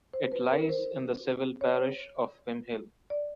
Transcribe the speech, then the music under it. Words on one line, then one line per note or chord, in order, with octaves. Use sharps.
It lies in the civil parish of Pimhill.
C5
B4
A#4
C5
C#5
D5